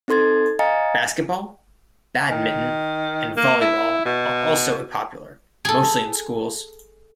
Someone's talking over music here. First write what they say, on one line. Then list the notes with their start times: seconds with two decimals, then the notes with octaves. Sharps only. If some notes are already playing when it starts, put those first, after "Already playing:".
Basketball, badminton and volleyball are also popular, mostly in schools.
0.08 C4 D#4 A4 C6 G#6 A6
0.59 D#5 F5 G#5 A#5 A6 C#7
2.31 D#3
3.37 A#3
3.61 E4
4.05 B2
5.65 G#4 A4